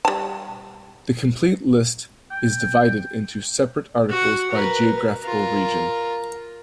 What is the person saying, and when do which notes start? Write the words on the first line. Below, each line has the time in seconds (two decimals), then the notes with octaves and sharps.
The complete list is divided into separate articles by geographical region.
0.05 G3 A5
2.31 G5
4.09 F#4 F#5
4.51 A#4 B4
5.21 F4 A#4